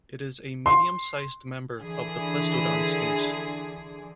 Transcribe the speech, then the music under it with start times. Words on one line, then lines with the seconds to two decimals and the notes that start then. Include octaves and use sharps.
It is a medium-sized member of the "Plestiodon" skinks.
0.66 C6
1.79 D3 E3 G#4